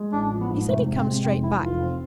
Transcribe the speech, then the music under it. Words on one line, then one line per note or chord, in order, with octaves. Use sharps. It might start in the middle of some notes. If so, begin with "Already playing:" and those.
He said he'd come straight back.
Already playing: G#3
A1 D4
F3
B3
G#2
C3 A3
C3
C4
G#3
F1 C4
E3 E4
F1 F4
C4